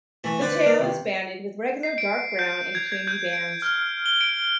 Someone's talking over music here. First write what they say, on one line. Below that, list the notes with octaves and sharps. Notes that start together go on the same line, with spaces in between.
The tail is banded with regular dark brown and creamy bands.
E3 A3
D3 B4 C5 D5
A#3
D#2 C3
C7
D7
G6
G#6
G#6
G6
D7
D7
F6
F6
G7
D7